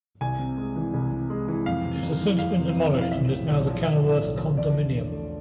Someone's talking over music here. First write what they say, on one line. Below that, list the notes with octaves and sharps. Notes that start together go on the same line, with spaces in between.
It has since been demolished and is now the Kenilworth Condominium.
C2 G#5
C3
G#3
E3
C2
C3
G#3
E3
F2 F5
C3
F2
E3
F2 F5
C3
F2
E3
F5
B1 E5
A2
B1 D5
F3
B1 E5
A2
B1
F3
E2 D5
D3
E2
A3